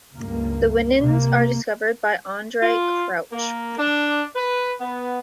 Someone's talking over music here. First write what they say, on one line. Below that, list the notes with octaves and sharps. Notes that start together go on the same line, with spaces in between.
The Winans were discovered by Andrae Crouch.
C#2 G2 A#3
C3 A#3
F4
A#3
D4
B4
B3